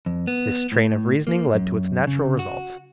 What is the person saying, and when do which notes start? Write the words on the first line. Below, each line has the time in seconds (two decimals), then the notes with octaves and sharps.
This train of reasoning led to its natural results.
0.06 F2
0.27 B3
0.72 A2
1.27 A#3
1.54 F#2
2.07 C#3
2.39 F#4